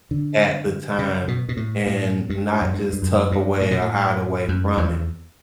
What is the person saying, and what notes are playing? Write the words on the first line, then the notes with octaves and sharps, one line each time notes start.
at the time and not just tuck away or hide away from it.
D3
C#3
B2
B2
A2
A2
G2
F#2
G2
G2
F#2
G2
A2
B2
A2
F#2
E2